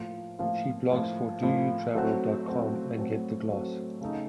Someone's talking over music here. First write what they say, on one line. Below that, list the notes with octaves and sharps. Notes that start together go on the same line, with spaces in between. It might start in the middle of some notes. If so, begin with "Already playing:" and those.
She blogs for doyoutravel dot com and Get the Gloss.
Already playing: A2 F3 A#3 F4
A2 F3 A#3 F4
A2 F3 A#3 F4
A2 F3 A#3 F4
F#3 A3 C4 F#4
F#3 A3 C4 F#4
F#3 A3 C4 F#4
F#3 A3 C4 F#4
C#3 A3 D#4